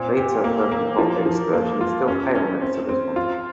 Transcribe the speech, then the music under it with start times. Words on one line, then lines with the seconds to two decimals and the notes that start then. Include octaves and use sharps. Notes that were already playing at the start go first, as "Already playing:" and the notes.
Later perky pop excursions still pale next to this one.
Already playing: A#2 C4
0.17 G4
0.44 A#3
0.71 A#3
0.99 F3
1.26 F3
1.53 A#3
1.81 F4
2.08 C#4
2.35 C#4
2.62 C4
2.89 C4
3.16 F4